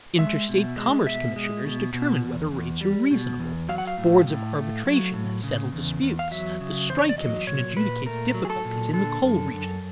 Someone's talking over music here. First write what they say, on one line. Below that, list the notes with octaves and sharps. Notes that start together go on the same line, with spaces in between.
Interstate commerce commissioners determine whether rates are reasonable, boards of arbitration settle disputes, the strike commission adjudicates difficulties in the coal regions.
G#3 E5
B2
G#3
B2 E5
G#3
B2
B2
E2
E2
G3
B2
E2
F#3 F5
F#5
F5
A2
A2
A3
F#3
A2
C#3
E2
E2
F5
F#3 E5
C#3
E2 C5
C#5
D5
F#3 D#5
A#2 C#5
A#2 B4
A3 A#4
F#3
G#4
A4
A#2
D3 A4
F#2
F#2